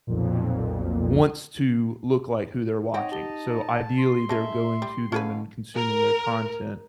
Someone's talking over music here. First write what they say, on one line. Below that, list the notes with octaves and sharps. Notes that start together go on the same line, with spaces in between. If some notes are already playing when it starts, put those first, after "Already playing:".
wants to look like who they're watching. So, ideally, they're going to them and consuming their content
B1 F2 A#2
C4 D#4 C#5 D#5 F#5 C6
G4 A5 G7
C6
C#3 G#3 A#3 E5 A5 A#6
G3
B2 D3 C#4 G#4 B4 F5 A5 D#7
A#4